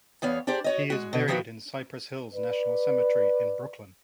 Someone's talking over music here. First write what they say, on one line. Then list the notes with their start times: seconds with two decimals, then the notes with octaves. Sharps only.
He is buried in Cypress Hills National Cemetery in Brooklyn.
0.22 E2 B3 C#5 F5
0.47 D4 G4 G#4 C5 D5
0.64 F#4 C#5 D#5
0.90 G#3 F#4
1.13 B2 D#5
1.28 D#3 F3 E4 F#4 B4 E5
2.34 B4 D5